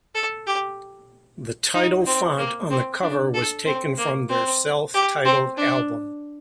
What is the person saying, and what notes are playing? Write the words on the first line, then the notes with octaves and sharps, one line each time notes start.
The title font on the cover was taken from their self-titled album.
A4
G4
D#4
C4
A#3
C4
D4
A4
C4
A#3
C4
G4
C4
D4